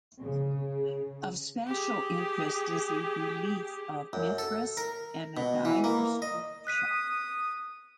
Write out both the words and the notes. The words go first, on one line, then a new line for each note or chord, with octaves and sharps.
Of special interest is a relief of Mithras and a dyer's workshop.
C#3
G4 G#4
F#2
A4
A#4
B2
E3
A#3
D#5
D#6 F#6 B6 D#7